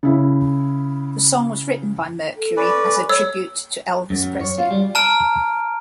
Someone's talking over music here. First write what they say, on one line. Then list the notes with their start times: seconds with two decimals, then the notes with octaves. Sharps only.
The song was written by Mercury as a tribute to Elvis Presley.
0.03 C#3 E4
2.37 A4
2.57 C#4 B4 D5
3.09 C#5 E6
4.10 F#2
4.22 F#2
4.41 C#5
4.58 F4
4.71 G3
4.95 A5 A#5 F6 D7